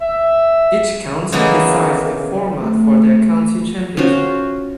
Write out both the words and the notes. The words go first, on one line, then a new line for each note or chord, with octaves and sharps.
Each county decides the format for their county championship.
E5
C#3 E3 G#3 A#3 B3
A3
C#4 F4 F#4 C5